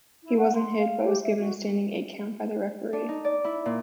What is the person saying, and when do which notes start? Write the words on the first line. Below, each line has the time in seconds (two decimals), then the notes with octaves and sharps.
He wasn't hit, but was given a standing eight-count by the referee.
0.23 E4
0.38 F#5
0.55 C6
0.78 F5
1.03 G4
1.23 E5
1.39 F#4
2.93 D4
3.09 D#4
3.25 D5
3.44 E4
3.66 A#2